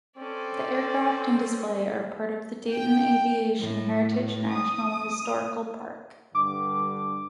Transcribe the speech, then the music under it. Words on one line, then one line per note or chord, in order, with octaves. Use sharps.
The aircraft and display are part of the Dayton Aviation Heritage National Historical Park.
C4 C#4 A4 D5
G5
A2
D#6
G2 D3 D6